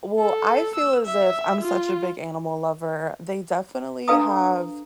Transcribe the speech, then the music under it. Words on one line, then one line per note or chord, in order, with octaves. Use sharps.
Well, I feel as if I'm such a big animal lover, they definitely have
A4
E6
E5
F4
D4 A4 B4 F5 A#5 D#6